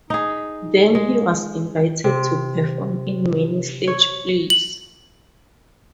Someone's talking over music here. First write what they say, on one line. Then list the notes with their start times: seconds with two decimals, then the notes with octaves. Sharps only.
Then he was invited to perform in many stage plays.
0.10 D#4 G#4
0.95 G#3
2.04 C3
3.87 C#5
4.50 F#7